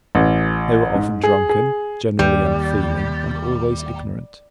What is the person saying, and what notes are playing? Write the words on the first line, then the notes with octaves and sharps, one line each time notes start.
They were often drunken, generally unfeeling, and always ignorant.
A1
G#2
G#4
G#4
D#2 G3